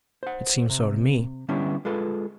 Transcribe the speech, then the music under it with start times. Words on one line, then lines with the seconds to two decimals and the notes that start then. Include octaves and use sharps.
It seems so to me.
0.23 C5 F#5
0.70 C3
1.48 D3 G3 B3 C#4 D4 E4
1.85 G#3 F4 A4 B4